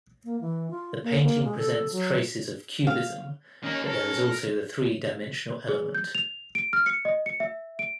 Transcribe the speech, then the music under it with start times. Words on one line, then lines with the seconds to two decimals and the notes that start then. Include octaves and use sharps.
The painting presents traces of cubism, but there is also the three-dimensional element.
0.24 A#3
0.41 E3
0.71 F4
1.03 A#3
1.23 A#3
1.45 G#3
1.58 A4
1.73 A4
1.92 F#3
2.87 F5
3.64 D#3 A#3 C#4 A#4
3.87 A4 A#4
5.69 G#4
5.95 G6
6.15 F7
6.55 D7
6.73 F6
6.86 C#7
7.05 D#5
7.26 C#7
7.40 E5
7.79 D7